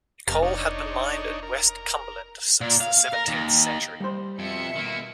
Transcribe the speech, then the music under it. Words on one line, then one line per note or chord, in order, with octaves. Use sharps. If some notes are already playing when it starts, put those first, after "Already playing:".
Coal had been mined in West Cumberland since the seventeenth century.
F1 A5 A#5 F6
D4 D#4 C#5
A#4
A#2
F5
A#4
D#2
G3 C5
F2 B2 E5 C#7
D#3 A#3